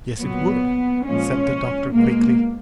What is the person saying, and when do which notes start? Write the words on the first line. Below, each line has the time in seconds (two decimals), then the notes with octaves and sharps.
"Yes, it would," said the Doctor quickly.
0.19 A#2 F#3 B3
1.06 A#2 F3 G#3 C#4
1.92 B2 G#3 A#3